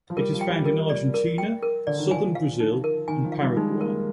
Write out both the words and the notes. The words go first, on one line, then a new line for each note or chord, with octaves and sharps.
It is found in Argentina, southern Brazil and Paraguay.
F3
G3 A#4
F3
G5
G3
A#4
D5
A#4
G5
A#4
D3 D5
D#3
F3 G#5
F5
D#4
A#4
D#3 G#5
F3
F5
G3
G#3 D#4
A#3 A#4